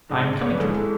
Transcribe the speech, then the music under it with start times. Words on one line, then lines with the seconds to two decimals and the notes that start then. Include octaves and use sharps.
I'm coming to it!
0.09 A1 G#2 G#3 D4
0.33 D5
0.42 C#5
0.50 B4
0.58 G#1 G#2 E3 G#3 A4
0.75 A4